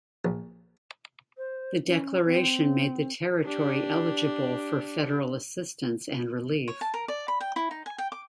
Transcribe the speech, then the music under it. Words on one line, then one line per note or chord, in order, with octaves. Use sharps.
The declaration made the territory eligible for federal assistance and relief.
A#1
C5
C#4
C4
D4 G4
C#5
A5
A#4
D5
B5
G5
E4
D#4
G#5
G5
D6